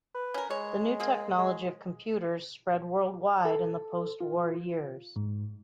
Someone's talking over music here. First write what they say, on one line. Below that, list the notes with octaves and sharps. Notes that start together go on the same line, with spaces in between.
The new technology of computers spread worldwide in the post war years.
B4
C#4 A#4
G#3 C#5
A#3 C4 G#4
G#3
A4
F4
G#2